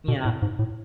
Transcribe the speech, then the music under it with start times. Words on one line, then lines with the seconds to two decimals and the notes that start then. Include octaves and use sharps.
there, you know.
0.08 B2
0.25 A2
0.42 G#2
0.59 A2